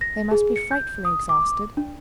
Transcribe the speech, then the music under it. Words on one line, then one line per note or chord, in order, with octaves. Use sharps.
They must be frightfully exhausted.
A#6
G#4
C#7
G6
D#6
D6
D4